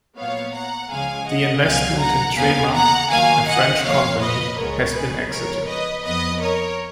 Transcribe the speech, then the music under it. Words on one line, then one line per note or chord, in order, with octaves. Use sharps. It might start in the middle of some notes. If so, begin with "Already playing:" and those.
The investment in Trema, a French company, has been exited.
A#2 F#3 B3 C#5 F5
F#5 A#5
C#2 C#3 F3 G#3 F5 G#5
D#5 F#5
C#2 B2 F#3 F5 G#5
F#5 A#5
D#2 C#3 G#3 B3 F5 G#5
F#5 A#5
D#2 D#3 F#3 A#3 F5 G#5
D#5 F#5
F2 F3 A#3 C#5 F5
B4 D#5
C#2 C#3 G#3 B3 A#4 C#5
G#4 B4
F2 F3 G#3 B3 A#4 C#5
B4 D#5
F2 F3 B3 B4 D#5
A#4 C#5